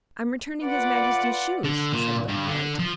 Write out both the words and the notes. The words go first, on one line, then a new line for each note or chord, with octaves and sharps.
"I'm returning his Majesty's shoes," said Button-Bright.
F4 B4 D5 F#5
D3
A#2
G2
D3
F3